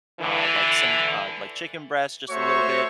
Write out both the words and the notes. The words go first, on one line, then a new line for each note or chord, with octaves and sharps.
uh, like, some, uh, like, chicken breast, just a little bit,
D3 E3
A3 F#4 C5 C#5 E5 C#6